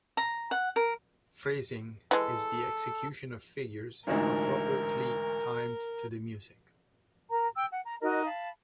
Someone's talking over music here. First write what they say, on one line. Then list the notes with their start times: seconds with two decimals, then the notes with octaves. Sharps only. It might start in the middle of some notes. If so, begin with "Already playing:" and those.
"Phrasing" is the execution of figures appropriately timed to the music.
0.17 A#5
0.51 F#5
0.76 A#4
2.11 E3 G#3 A4
4.07 A1 D2 G#2 A#4
7.30 A#4 A#5
7.57 G5 E6
7.71 F#5
7.85 A#5
8.01 D#4 F#4 A#4 D#5
8.25 F5 A5 B5